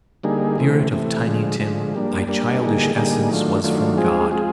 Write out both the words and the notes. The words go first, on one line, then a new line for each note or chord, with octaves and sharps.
Spirit of Tiny Tim, thy childish essence was from God!
D3 G3 A#3 D#4 G#4
C3 E3 A3
C3 E3 A3
D3 F3 G#3
D3 F3 G#3
G3 A#3 D4
G3 A#3 D4
D3 G3 A#3 D#4 G#4
D3 G3 A#3 D#4 G#4
D#3 F#3 A3 D4 F4
D#3 F#3 A3 D4 F4
F3 G#3 C4 F4 G#4
F3 G#3 C4 F4 G#4